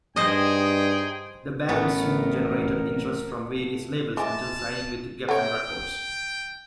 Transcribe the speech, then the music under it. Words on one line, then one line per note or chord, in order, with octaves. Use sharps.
The band soon generated interest from various labels until signing with Geffen Records.
G2 D#4 G#4 C5 D#5 G5
A1 A3 B3 A#4
G#3 E5 G#5 A5 D6
A3 A4 C#5 E5 F#5 G5